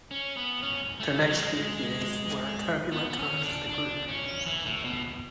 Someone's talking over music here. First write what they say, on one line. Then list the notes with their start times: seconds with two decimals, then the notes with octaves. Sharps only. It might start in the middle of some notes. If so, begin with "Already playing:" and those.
The next few years were a turbulent time for the group.
0.11 C#4
0.37 B3
0.63 C#4
1.00 A3
1.20 G#3
1.29 F#3
1.38 G#3
2.92 B3
3.10 B3
3.19 C#4
3.44 D4
3.69 D4
4.08 C#4
4.46 E3
4.65 A2
4.84 B2